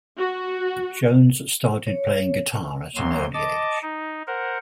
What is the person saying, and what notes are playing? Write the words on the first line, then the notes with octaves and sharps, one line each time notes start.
Jones started playing guitar at an early age.
F#4
C#5
D#2 F#3 C6
D#5 A5 D6
D#4
A#4 C5 F#5